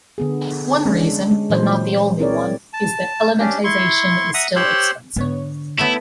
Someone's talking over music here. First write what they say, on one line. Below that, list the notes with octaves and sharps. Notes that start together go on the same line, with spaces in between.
One reason, but not the only one, is that elementization is still expensive.
D3 B3 G#4
G#3 C#4 D4
G#3
A#2 E3 F#3 C5
C4 E4 G#4 A#4 C#5 D5
A5
C#4 D4 G4
E4 C6 C#6
E5 F#5 A#5 D#6
G4 C5 C#5 C6 E6 F#6
G#2 D3 B3 C#5
A3 B3 E4